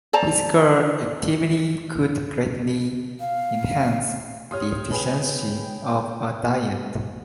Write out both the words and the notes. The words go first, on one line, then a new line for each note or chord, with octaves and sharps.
Physical activity could greatly enhance the efficiency of a diet.
C5 D5 A5 A#5
F5
G4 C#5 D#5 C6 D#6 F6
G#4 B4 G5 G#5